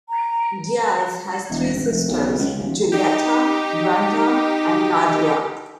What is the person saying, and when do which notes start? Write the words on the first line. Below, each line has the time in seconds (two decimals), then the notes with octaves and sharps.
Diaz has Three sisters, Julieta, Brenda and Nadia.
0.09 A#5
1.49 E1
1.72 G#1
1.85 F1
2.08 B1
2.38 C#2
2.59 D#1
2.92 D#4 G4